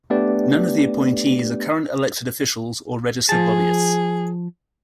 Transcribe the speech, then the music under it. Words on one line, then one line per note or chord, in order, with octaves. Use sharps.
None of the appointees are current elected officials or registered lobbyists.
A3 B3 D4 G4 B4 D5
F3 G#4 A5